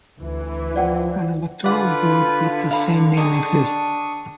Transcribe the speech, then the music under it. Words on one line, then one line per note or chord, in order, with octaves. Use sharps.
An electoral ward with the same name exists.
D2 E3
F3 D5 F#5 G5
D3 F4 B4 D5 F#5 B5
F5 B5
D#3 D4 G#4 C#6 D#6